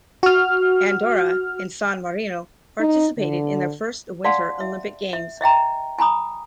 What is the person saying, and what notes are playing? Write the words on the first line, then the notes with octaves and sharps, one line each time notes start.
Andorra and San Marino participated in their first Winter Olympic Games.
F#4 F6
D#4
D3
D5 F5 F#5 A5 C6
E5
E5
D#5 E5 G5 A#5
G#5 A#5 B5 D#6